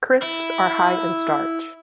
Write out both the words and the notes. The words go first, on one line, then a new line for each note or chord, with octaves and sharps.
Crisps are high in starch.
E4